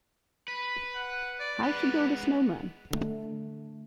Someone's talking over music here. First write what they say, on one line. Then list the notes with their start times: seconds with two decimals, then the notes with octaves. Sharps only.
How to build a snowman.
0.48 B4 B5
0.95 F#5
1.40 D5
1.63 G#3 B3 B4
2.91 D3 A3